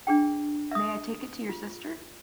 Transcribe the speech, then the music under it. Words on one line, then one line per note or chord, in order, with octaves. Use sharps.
May I take it to your sister?
D4 G#4 G5
E5 D#6
F4